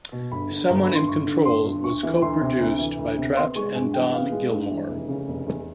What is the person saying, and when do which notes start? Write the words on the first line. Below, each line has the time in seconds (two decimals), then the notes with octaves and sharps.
"Someone in Control" was co-produced by Trapt and Don Gilmore.
0.12 B2
0.32 G1 B5
0.50 D3
0.69 G1 A#5
0.83 B5
0.89 G2
0.95 C6
1.08 G1 C#6
1.27 D3
1.45 G1 C6
1.65 G2
1.84 D2 C#6
2.03 E3
2.22 D2 C6
2.41 C3
2.60 D2
2.79 E3
2.99 D2
3.17 C3
3.36 B3 C6
3.55 G#3 C#6
3.75 G2 G#5
3.94 E3 G5
4.13 B3 F5
4.32 G#3
4.51 G2
4.70 E3
4.89 F1
5.08 C#3
5.28 F1
5.46 E2